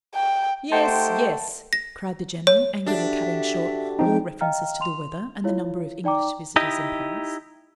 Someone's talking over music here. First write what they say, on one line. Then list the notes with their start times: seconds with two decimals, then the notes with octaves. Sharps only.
"Yes, yes," cried the General, angrily cutting short all references to the weather and the number of English visitors in Paris.
0.15 G5
0.72 A3 D#4 G4 C5 F#5 G5 A5 C6
1.73 A#6
2.47 C#5
2.87 D4 F#4 G4 A4 E5
3.99 F3 C4 D#4 G5
4.41 D#5 F5 G5 A#5 F6
4.81 C6 F7
5.44 E4 F4 C#5 F5
6.04 D#4 D5 G5 A#5 D6
6.56 D#4 E4 G4 D#5